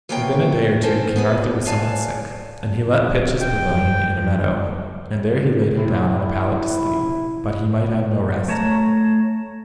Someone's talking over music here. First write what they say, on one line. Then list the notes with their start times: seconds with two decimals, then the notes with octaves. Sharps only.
WITHIN a day or two King Arthur was somewhat sick, and he let pitch his pavilion in a meadow, and there he laid him down on a pallet to sleep, but he might have no rest.
0.09 E3 F3 A#3 B3 C#5 G5
0.83 C4 C#4 A4 A#4 C5
1.16 B3 G#4 B4
1.65 B4 C#5 D5 F5 G#5 A5
3.41 G5
5.77 C3 E4
8.48 A3 C#5 A5 A#5